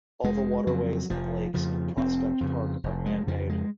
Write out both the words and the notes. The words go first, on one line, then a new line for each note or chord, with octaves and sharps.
All the waterways and lakes in Prospect Park are man-made.
F1 G#3
F2 C#3 F#3
F1 F3
F2 C#3 F3
F1 C4
F2 C#3
F1
G#3
F2 C#3 F3
G#3